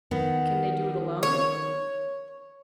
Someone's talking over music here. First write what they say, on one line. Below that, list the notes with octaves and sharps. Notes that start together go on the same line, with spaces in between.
"But can they do it alone?"
D#3 B3
C#5